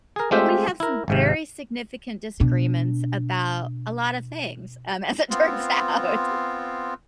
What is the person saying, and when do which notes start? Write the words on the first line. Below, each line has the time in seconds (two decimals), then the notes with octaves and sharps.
but we have some very significant disagreements about a lot of things, um, as it turns out.
0.16 G#4 A#4
0.31 G#3 A3 C4 F4 G4 E5
0.80 E4 A#4
1.08 G#1 G#2 C3
2.40 B2 D4
5.30 B3 C4 F4